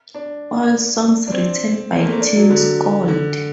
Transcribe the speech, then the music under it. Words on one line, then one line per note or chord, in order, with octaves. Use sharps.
All songs written by Tim Skold.
D4
D4
C4
C4
A#3
A3
A#3
D4
F#3
D3
D3